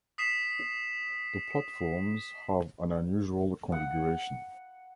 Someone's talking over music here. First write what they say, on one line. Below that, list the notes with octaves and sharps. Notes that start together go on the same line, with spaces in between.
The platforms have an unusual configuration.
D#6 B6 C7 E7
F#5